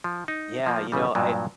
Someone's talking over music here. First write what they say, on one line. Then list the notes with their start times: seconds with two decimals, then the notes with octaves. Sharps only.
Yeah, you know, I
0.04 F3
0.28 D#4
0.66 F3 A#3
0.92 A1 C#3 G3
1.15 G2 A#2 F3 F#3